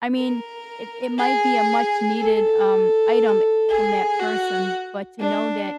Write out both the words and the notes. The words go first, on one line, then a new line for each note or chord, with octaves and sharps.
I mean, it it might be a much needed, um, item from that person, but to know that
A#4
G#4
A4
G#4
F#4
D4